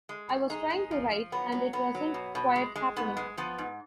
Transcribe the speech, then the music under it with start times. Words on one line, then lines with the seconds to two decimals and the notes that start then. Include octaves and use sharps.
I was trying to write and it wasn't quite happening.
0.09 G#3
0.29 F#2
0.50 G#3 D#4
0.70 G#3
0.91 F3
1.11 F3
1.32 F#3 B3
1.52 F#3
1.73 F#3 B3
1.95 F#3
2.14 B2
2.35 B2
2.56 G#3
2.76 G#3
2.96 G#2 B3
3.17 G#3
3.37 F3 B3
3.58 G#2